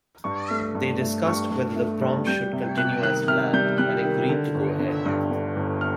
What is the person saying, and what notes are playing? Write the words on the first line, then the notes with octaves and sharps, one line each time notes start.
They discussed whether the Proms should continue as planned, and agreed to go ahead.
G2 C#6
A3
G2
A3
G2 C#6
G2
A3
G2
G3 G6
C3
C3 F#6
D#3 F#6
C3 F6
G3 G6
G3 F#6
D#3
D3
G1
D3
G2
D3
G1
F6